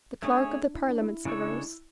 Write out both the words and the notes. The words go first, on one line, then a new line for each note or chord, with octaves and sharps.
The Clerk of the Parliaments arose.
A3 C#4 D4 G#4 C#5
E4
D4
E4
C#3 G#3 D4 E4 A4 C#5